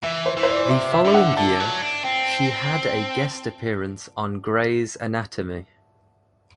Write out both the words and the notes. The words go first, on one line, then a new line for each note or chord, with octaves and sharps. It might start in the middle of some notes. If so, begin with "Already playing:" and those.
The following year, she had a guest appearance on "Grey's Anatomy".
E3 E5
C5
E3
C5
D5
C3 E5
E5
D3
F#5
D3 A5
F#3
D4
C4